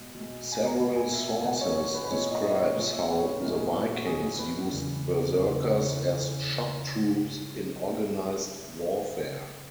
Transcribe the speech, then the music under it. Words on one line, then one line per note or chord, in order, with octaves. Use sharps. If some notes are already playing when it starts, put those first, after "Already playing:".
Several sources describes how the Vikings used berserkers as shock troops in organized warfare.
Already playing: B2 G#3
B2 G#3
G#5
A#5
B2 G#3 B5
G#5
E5
G#5
G#5
B2 G#3 F#5
C#5
C#5
B4
B4
A#2 G#3 C#5
D#5
D#5
C#5
A#2 G#3 D#5
E5
B4
C#5
B4
A#2 G#3 A#4
G#4
E4
F#4
A#2 G#3 G#4
G#4
B4
E2 C#3 E3
E2 C#3 E3 B4
C#5